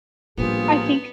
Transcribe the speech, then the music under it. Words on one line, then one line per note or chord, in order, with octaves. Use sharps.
I think
A#1 A2 G3 B3 F4 G4 G#4